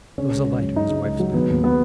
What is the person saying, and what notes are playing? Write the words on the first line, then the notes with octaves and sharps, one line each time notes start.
There was a light in his wife's bedroom.
C#3 C#4
C#2
C#2
F#3
C#3 D#4
C#2
C#2
F#3
D#3 B3
D#2
B3